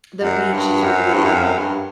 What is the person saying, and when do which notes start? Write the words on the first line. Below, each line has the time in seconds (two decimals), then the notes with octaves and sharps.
the beach is really,
0.23 F#2
0.53 G2
0.83 F#2
1.14 G2
1.24 F#2
1.34 F2
1.44 F#2
1.59 G2